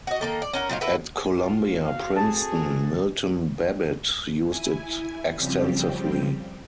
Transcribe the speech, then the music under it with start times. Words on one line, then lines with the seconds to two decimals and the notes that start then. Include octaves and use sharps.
At Columbia-Princeton, Milton Babbitt used it extensively.
0.07 F#4 D#5
0.21 D#3 A#3 A4
0.42 D5
0.53 C#4 A#4 F#5
0.69 A#2 F#3 D#4 F4
0.81 E4 F#4 A4 B4
1.34 F4
1.85 C4 F#4 A4 F5
2.16 G#4 A5
4.49 E4 G#5
5.36 C#3 F3 G3 C4 G4